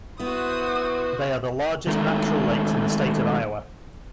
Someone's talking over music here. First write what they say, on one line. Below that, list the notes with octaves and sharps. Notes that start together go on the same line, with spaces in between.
They are the largest natural lakes in the state of Iowa.
B3 E4 F#4 C5 D#6
D#3 F#3 G#3 A3 D#4